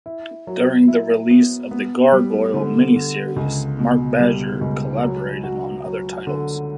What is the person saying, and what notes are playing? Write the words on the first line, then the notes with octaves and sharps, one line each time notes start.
During the release of "The Gargoyle" mini-series, Mark Badger collaborated on other titles.
E4
F#3
E4
B3
B3
G3
D3
D3
C#2
B2
G3
C#2
F#3
F#4
F#3
D3